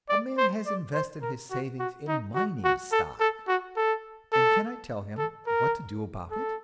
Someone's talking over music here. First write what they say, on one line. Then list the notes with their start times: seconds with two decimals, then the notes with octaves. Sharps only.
A man has invested his savings in mining stock, and can I tell him what to do about it?
0.09 D5
0.38 C5
0.67 D5
0.94 C5
1.22 A#4
1.51 F#4
1.79 F#4
2.08 D#4
2.35 F#4
2.65 F#4
2.92 A4
3.20 A4
3.48 F#4
3.77 A4
4.33 A4
5.18 A4
5.47 A#4
6.31 A4